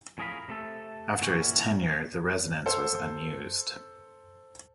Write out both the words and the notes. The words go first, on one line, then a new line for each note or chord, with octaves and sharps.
After his tenure the residence was unused.
F2 A2 G#4 A#4 F5 B5
C3 A3 A4
A#2 D3 E3 C#4 F#4
A4 C5